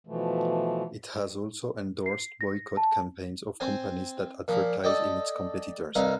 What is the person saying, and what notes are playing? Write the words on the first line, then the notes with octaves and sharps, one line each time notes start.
It has also endorsed boycott campaigns of companies that advertise in its competitors.
B2 E3 F3 A3
C7
A#6
A5
C4 C5 G#5
A#2 F3
A4 D5 D#5 G5
C2 G2 D#4 F5